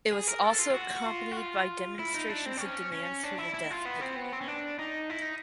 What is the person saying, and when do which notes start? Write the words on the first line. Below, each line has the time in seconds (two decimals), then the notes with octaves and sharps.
It was also accompanied by demonstrations and demands for the death penalty.
0.13 G#4
0.28 A#4
0.44 A4
0.59 F4
0.70 F4
0.74 F#4
1.06 F4
1.31 F#4
1.37 F4
1.99 E4
2.14 D#4
2.30 D4
2.46 C4
2.57 D4
2.61 C#4
2.92 C#4
3.23 D4
3.38 E4
3.54 E4
3.70 F4
3.85 B3
4.01 C4
4.16 B3
4.33 C4
4.41 C#4
4.48 D4
4.79 D#4
5.10 E4
5.22 D#4